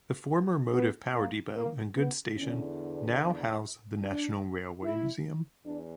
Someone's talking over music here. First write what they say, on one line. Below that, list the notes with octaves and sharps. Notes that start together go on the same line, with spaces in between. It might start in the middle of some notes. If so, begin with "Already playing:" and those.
The former motive power depot and goods station now house the National Railway Museum.
B3
A#3
A#3
B3
E2 D3 C#4
D4
D4
E4
E2 D4